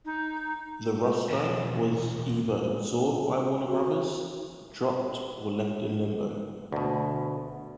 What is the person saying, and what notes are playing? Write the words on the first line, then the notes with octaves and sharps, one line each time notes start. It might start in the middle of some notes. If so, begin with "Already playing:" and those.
The roster was either absorbed by Warner Brothers, dropped, or left in limbo.
D#4
E2 B2
F#4
D2 B2